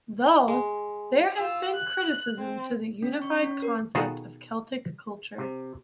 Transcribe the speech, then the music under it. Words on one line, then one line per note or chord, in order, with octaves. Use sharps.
Though, there has been criticism to the unified concept of Celtic culture.
G#3
F4 E6
F#6
C4
C#4
C#6
C#4
A#4
B2 D#3 F4 F#4 G#4 A4
C3